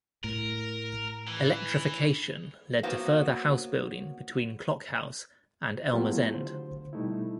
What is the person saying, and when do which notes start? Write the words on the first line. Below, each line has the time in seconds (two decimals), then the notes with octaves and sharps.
Electrification led to further house building between Clock House and Elmers End.
0.24 A2 A#4
1.27 E3
2.83 F#3 A#3 B3 F#4 C5 F5
5.93 F#3 A3 B3 E4 F4 G4
6.34 D3 C5
6.93 B2 G3 A3 D#4 E4